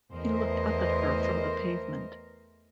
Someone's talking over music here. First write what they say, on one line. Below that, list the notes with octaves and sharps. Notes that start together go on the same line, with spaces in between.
He looked up at her from the pavement.
E2 A3 A#4 C5 D#5